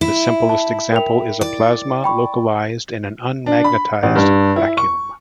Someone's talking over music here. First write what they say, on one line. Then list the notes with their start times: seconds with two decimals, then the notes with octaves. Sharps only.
The simplest example is a plasma localized in an unmagnetized vacuum.
0.01 E4
0.49 A5
0.92 A#4 G5 F7
1.41 D5
2.04 G5 B5 C#6
3.46 D4
3.64 B5
4.03 A1
4.15 G2
4.56 E4
4.77 C#6